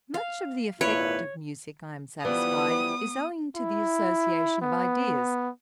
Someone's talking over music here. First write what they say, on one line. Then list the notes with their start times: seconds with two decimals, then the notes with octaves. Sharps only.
Much of the effect of musick, I am satisfied, is owing to the association of ideas.
0.14 F5
0.81 G#1 A#2 E4 B4 C#5
2.24 E3 F3 G3 B3 D#6
3.56 E4
4.62 B3